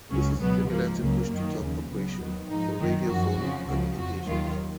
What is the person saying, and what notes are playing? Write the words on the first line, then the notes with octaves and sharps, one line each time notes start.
This is similar to Push-to-talk operation for radio phone communications.
C#2 C#3 F#3 C#4
C#2 B2 F#3 B3
G#2 F3 A#3
C#2 C#3 F#3 A#3
F#2 D#3 F#3
D#2 C#3 F3
C#2 C#3 F#3 B3
D#2 D#3 F#3
G#2 F3 D#4
F#2 D#3 F#3
F#2 F3 F#4
F2 C#3 F3
C#2 C#3 F3
F2 F3 F#4
D#2 D#3 F#3 F4